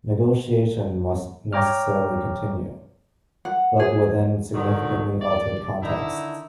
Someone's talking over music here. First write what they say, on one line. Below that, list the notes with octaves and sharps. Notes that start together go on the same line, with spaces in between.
Negotiation must necessarily continue – but within significantly altered contexts.
C#5 G5 A#5 D6 F6
F#5
G#4
G#2 D3 D#3 F#3
D5
D3 D#3 D#4 E4